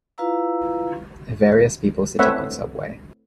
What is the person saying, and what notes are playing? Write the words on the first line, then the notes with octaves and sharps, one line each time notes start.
Various people sitting on a subway.
E4 F4 B4 F5 A#5 E6
A3 C4 B4 C#5 E5 F#5